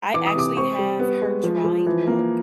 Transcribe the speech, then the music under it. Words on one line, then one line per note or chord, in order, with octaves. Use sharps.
I actually have her drawing book.
E3 D6
D#6
C3 D6
C4 C#6
G3
B3
G#3
F3
F3
E3
A#3